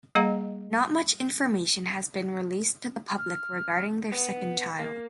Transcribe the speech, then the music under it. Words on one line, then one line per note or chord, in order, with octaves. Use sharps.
Not much information has been released to the public regarding their second child.
G3 A#3 G#4 D#5 F5 A#5
F6
B3
A#3